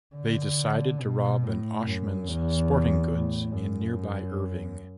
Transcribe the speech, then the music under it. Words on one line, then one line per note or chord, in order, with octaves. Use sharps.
They decided to rob an Oshman's Sporting Goods in nearby Irving.
D3
B2
A2
F#2
E2
A2
F#2